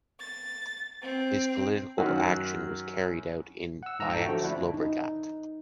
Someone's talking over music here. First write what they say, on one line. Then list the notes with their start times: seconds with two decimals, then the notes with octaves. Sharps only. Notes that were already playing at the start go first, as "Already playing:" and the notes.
His political action was carried out in Baix Llobregat.
0.20 A6
1.02 C4
1.98 F#2 D#3 F#4
3.83 F#5 E6
3.99 G#2 A#5 E6
4.13 E3 A4 G5
4.26 D3 F3 A3 F#4
4.44 D4 E4
4.74 D#4